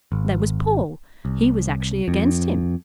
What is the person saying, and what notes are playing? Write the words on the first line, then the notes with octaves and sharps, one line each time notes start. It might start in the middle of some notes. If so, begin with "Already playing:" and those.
There was Paul; he was actually against Him.
G#1
C2
F2